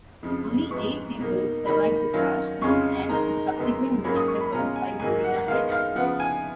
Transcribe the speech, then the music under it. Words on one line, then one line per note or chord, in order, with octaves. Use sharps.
Only eight people survived the crash and the subsequent massacre by guerrilla fighters.
F2 C#3 F3
G#2 F3 G#3 B3 C#6
B2 A#3 D#4
D#3 A#3 D#4 B5
D#3 F#3 C#4 F4
F2 C#3 G#3 C#4 F4 C#6
D#3 G#3 D#4 A#5
F#2 D#3 G#3 B3
G#2 F#3 A#3 C#4 B5
D#6
C#6
B5
B2 G#3 C#4 F4 A#5
G#5
G#2 D#3 F#3 A#3 G#5
F#5
D#3 G#3 B3 D#4 F5
F5
C#3 F3 B3 F4 F#5
G#5